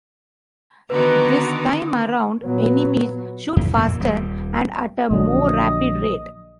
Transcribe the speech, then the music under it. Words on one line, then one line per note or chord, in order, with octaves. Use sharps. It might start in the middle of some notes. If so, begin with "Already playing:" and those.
This time around, enemies shoot faster and at a more rapid rate.
D3 D#3 B3 F#4 B4 A#5
A#2 F#3 B3
E2
F2 A#2 E3
D#1 G3
A#1 D3 F#3 D#5